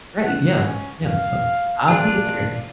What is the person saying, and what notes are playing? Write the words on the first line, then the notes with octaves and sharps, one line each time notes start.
Right, yeah, yeah, so I'll see you later.
F#5
C#4
F5
A#2 D4 F4 G#4 D5